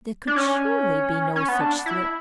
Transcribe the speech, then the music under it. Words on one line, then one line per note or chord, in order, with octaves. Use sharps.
There could surely be no such slip!
D4
C#4
C#4
B3
D4
E4